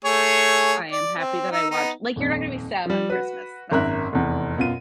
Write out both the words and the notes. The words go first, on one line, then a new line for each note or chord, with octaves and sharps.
"I am happy that I watch" like, you're not gonna be sad on Christmas, that's the point.
A3 G#4 C#5
D5
C4
D#4 E6
B3 D#4
D#1 F2
F3 G3
F#4 B4
G#1 F#2 A#4 E5 F#6
F1 E2
F#2 B2 F4 D#7